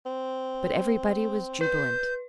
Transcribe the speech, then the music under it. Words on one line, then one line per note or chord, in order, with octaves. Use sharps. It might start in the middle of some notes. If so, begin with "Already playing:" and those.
But everybody was jubilant.
C4
B4 G6